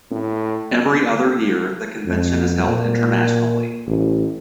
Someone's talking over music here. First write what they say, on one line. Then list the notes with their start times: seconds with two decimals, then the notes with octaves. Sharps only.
Every other year, the convention is held internationally.
0.11 A2
2.06 F2
2.67 A#2
3.87 A1